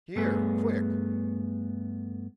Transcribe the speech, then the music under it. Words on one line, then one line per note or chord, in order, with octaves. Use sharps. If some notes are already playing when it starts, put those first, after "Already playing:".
"Here, quick!"
G2 A3 B3 G#4